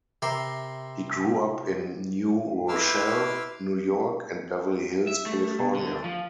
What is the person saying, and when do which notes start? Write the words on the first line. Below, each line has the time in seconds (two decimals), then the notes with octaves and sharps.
He grew up in New Rochelle, New York, and Beverly Hills, California.
0.22 C3 A#4 E5 B5 C6
2.69 E4 B4 C6 D6 E6 F6
5.07 E5
5.26 A3
5.59 B2
5.75 D3
6.04 F3